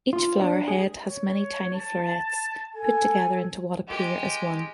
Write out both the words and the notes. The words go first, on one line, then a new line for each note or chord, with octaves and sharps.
Each flower head has many tiny florets put together into what appear as one.
F4
D4
G#4
C#5
A5
A4 G#5
G#3 G4